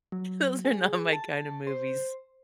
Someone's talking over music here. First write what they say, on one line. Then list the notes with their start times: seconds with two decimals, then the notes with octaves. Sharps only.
Those are not my kind of movies.
0.12 F#3
0.65 G#4
1.13 A5
1.67 C5